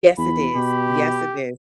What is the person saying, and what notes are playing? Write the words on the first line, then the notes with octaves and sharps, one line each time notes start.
Yes, it is. Yes, it is.
E2 B5
B2 G4